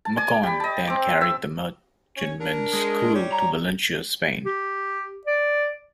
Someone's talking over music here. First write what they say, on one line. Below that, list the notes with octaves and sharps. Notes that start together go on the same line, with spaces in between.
"Macon" then carried the merchantman's crew to Valencia, Spain.
A5
D5 G#5
G4 B5
D#5 A5
C4 D6
E5 E6
C#4 C#5
D4 A#4
G#3
G3 C#5
A#5
G4
D5